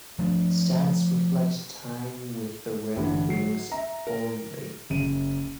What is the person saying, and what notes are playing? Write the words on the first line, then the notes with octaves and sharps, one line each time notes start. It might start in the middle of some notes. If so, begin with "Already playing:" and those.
Stats reflect time with the Red Wings only.
F3 A3 D4
A1 G2 D3 E3
F#3 C7
E5 A#5
A#4
F#1 F#2 D#7